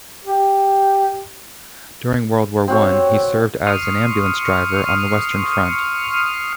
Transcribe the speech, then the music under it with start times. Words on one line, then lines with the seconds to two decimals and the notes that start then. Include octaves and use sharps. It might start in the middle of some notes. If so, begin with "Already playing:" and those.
During World War One, he served as an ambulance driver on the Western Front.
0.25 G4
2.68 C4 F#4 C#5
3.67 C6 C#6 D#6 F6